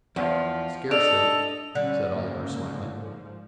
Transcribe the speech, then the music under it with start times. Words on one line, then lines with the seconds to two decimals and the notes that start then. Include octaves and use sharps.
"Scarcely," said Oliver, smiling.
0.16 E2 F3
0.91 D4 A4 D#5 F7
1.75 D3 G3 C#4
2.06 G#2 C#3 A#3
2.92 G#2 F3